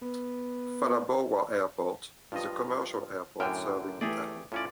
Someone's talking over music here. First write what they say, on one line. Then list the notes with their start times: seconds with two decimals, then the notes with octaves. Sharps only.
Phalaborwa Airport is a commercial airport serving the town.
0.02 B3
2.32 G2 F3 F4 D#5
3.40 F#2 A2 D3 G5 G#5 F6
4.01 E3 A3 G4 G#4 D5
4.52 A2 C#4 F4 D5